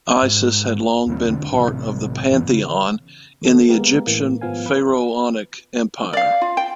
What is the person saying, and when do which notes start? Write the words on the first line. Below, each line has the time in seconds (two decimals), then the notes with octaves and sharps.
Isis had long been part of the pantheon in the Egyptian pharaonic empire.
0.22 G#2
1.07 D#1 D#2 G3 C4
1.26 E1 D3
1.52 A1 C3
2.31 G#1 F2 E3 B3
2.48 C#3
3.42 D#2 A4
3.68 G#3 A#3 B3 G4 A#4
4.07 A1 E3 A#3
4.41 G#1 F3 B3 F5 G#5
4.66 B4
6.13 D5 F5
6.42 F4
6.57 G5